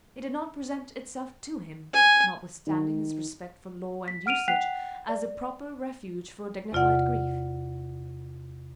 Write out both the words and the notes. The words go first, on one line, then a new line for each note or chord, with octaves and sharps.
It did not present itself to him, notwithstanding his respect for law and usage, as a proper refuge for dignified grief.
G#5
D#3
B6
F#5 F6 D7 D#7 F7
F#5 G5 F#6 B6 C7 F7
D5
E2 C3 F4 D5 F#5